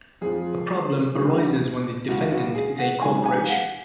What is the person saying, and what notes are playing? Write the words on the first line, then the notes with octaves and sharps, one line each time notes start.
A problem arises when the defendant is a corporation.
F2 F3 G#4
D2 D3 F#3
C#2 B2 F#3 F#4
F#4
G#4
F#5
G#2 F#3 G#5
G#5
F5
F#5